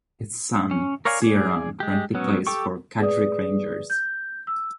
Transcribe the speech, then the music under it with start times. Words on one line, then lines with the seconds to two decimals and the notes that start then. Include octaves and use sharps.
His son Ciaran currently plays for Carrick Rangers.
0.71 C#4
1.05 A#4 C#5 D5 F5 G#5
1.22 G#4 D5
1.80 G#3 G4
2.15 F#3 B3 C#4
2.47 G4 A4 G5 C#6
2.99 G#4 B4 D5 D#6
3.90 G6
4.47 E6